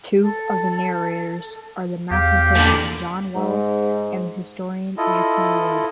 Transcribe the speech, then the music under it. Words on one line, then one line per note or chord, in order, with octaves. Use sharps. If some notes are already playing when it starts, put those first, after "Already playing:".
Two of the narrators are the mathematician John Wallis and the historian Anthony Wood.
A4
E2 G4 F5
A#2 D3 D4
G#2
E4 F4 A4 D#5